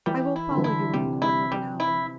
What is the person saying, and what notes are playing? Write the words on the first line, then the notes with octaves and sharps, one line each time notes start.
I will follow you in a quarter of an hour.
E3 G3
E4
D3
E3
D3 E4
C3 G3
E4
G3
E4